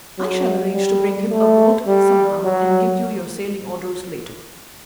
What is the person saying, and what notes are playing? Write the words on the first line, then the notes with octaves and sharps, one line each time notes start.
"I shall arrange to bring him aboard somehow, and give you your sailing orders later."
F#3
G3
A3
G3
F#3